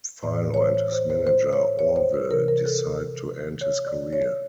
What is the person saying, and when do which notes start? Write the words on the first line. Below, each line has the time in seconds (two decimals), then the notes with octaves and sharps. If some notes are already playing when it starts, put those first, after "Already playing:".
Philo and his manager Orville decide to end his career.
0.23 A2 D5
0.27 E3
0.54 C#5
0.57 C5
0.74 C#5
0.92 C5
1.10 C5
1.27 C5
1.53 C#5
1.79 C#5
1.96 C5
2.14 B4
2.31 C3 E3 A#4
2.48 A#4
2.66 A4
3.61 C#5
3.87 D5
4.13 C#5